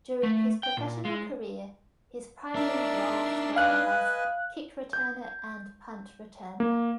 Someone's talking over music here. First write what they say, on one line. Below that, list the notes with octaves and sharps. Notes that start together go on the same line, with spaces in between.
During his professional career his primary roles were as kick returner and punt returner.
A3
G5
A#2
G#3
D4 D#4 A#4 E5 A5
B4 D#5 F5 G#5 F#6
G6
A#3